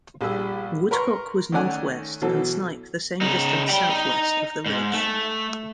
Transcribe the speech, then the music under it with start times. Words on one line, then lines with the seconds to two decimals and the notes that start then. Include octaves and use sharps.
Woodcock was north-west and Snipe the same distance south-west of the ridge.
0.21 A#1 G3 G#4 E6
0.91 A#4 B4 A#5 C6 C#6
1.52 D#3 A3 C#4 D5 F#5 G#5
2.22 B2 E3 F#3 A4
3.21 C#3 D#4
3.69 G4 D5
3.90 D#4
4.66 G#2
4.94 A3